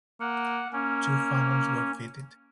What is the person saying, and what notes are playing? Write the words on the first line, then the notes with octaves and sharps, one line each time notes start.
Two funnels were fitted.
A#3 F#5
A#3 C#4